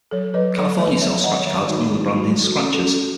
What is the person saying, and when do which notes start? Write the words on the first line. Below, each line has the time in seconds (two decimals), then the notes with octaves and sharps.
California sells scratch cards under the branding "Scratchers".
0.11 F#3 A4 C#5
0.34 F#3 B4 D#5
0.57 F#3 A4 C#5
0.79 A3 B4 D#5
1.01 F#3 C#5 E5
1.23 D#3 D#5 F#5
1.46 D#3 C#5 E5
1.68 D#3 D#4 F#4
1.82 D#4
1.92 D#3 E4
2.14 F#3 D#4 F#4
2.36 A3
2.43 F#4 A4
2.58 C#4
2.73 F#4 A4
2.82 C#4
2.93 A4